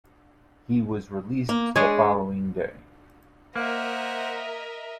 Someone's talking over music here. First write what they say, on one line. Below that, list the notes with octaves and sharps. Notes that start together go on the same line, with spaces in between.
He was released the following day.
A#3
G#3 D4 G#4 C#5
A#3 A#4 C5 D#5 E5 F#5